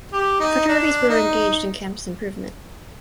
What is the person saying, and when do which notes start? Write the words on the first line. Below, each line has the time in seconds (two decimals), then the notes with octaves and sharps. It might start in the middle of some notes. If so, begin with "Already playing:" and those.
Fraternities were engaged in campus improvement.
0.13 G4
0.40 D#4
0.68 D4
1.09 D#4